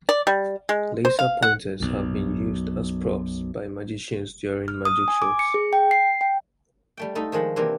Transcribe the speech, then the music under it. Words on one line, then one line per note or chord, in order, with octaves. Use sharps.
Laser pointers have been used as props by magicians during magic shows.
D5
G3
G#3
C5
F5
F#5
B1 F#2
F6
D#6
G#5
D6
C#7
G#4
G5
C7
G5
G3 A3 G5
A3 D#4 F4 A4
D#3 F3 G#3 F#5
C3 E3 A#3 D4 F4 G4